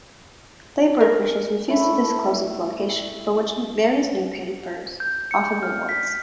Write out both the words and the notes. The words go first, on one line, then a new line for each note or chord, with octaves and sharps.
Labour officials refused to disclose its location, for which various newspapers offered rewards.
A#4
A3 E4 A4
G6
C#7
F6
B6